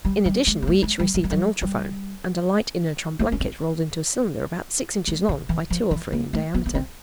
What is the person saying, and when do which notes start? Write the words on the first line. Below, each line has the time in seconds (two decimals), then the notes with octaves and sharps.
In addition, we each received an ultrophone, and a light inertron blanket rolled into a cylinder about six inches long by two or three in diameter.
0.05 G3
0.25 G3
0.47 G#3
0.62 A#3
0.67 A3
0.83 G#3
0.99 G3
1.14 F#3
1.24 G3
1.31 F#3
1.61 G3
3.19 A3
3.32 C#4
3.40 C4
5.08 G#3
5.29 D3
5.49 E3
5.70 F3
5.91 E3
6.13 A#3
6.33 A3
6.54 B3
6.66 B3
6.75 C4